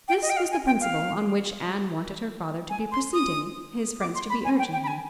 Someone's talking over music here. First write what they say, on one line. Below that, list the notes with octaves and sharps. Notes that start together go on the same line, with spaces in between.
This was the principle on which Anne wanted her father to be proceeding, his friends to be urging him.
G5
D#5
G5
F5
G#5
G5
F5
G#5
C6
D#6
D6
C6
B5
G#5
G5
G5
B5
G#5